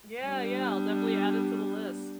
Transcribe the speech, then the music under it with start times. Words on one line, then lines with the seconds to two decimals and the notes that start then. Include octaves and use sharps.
Yeah, yeah, I'll definitely add it to the list.
0.24 G3 B3 D4